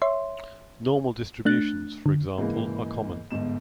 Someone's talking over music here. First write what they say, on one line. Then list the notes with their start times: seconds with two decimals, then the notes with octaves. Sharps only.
Normal distributions, for example, are common.
0.02 C#5 E5 C6
1.45 A3 D4 F#6 A6
2.06 D3
2.38 G#2 C#3 E3 A#3
3.31 G1 E2 G#2 E7